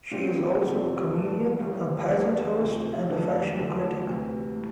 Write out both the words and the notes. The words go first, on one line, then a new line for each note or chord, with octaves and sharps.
She is also a comedian, a pageant host and a fashion critic.
A#2 G3 C4 G4
F2 C3 G3 C4 G4
G2 E3 A3
A1 A2 G3
E2 E3 G3 A#3 D4
D2 C3 F3
F1 F2 E3 A3 D4
E2 D3 F3 A3
D2 C3 E3
A2